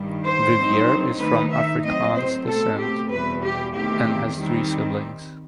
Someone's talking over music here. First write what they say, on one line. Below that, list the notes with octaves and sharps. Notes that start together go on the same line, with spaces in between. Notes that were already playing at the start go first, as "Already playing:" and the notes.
Vivier is from Afrikaans decent and has three siblings.
Already playing: G2 D#3 G3
C5
G2 F#3 C4 D#4
D#3 A3 D#4 B4
E5
A2 F#3 C4 D#5
C5
B2 A3 C4 A4
G4
E2 B2 G3 B4
G4
E2 D#3 A3 C4 G4
D#3 G3 C4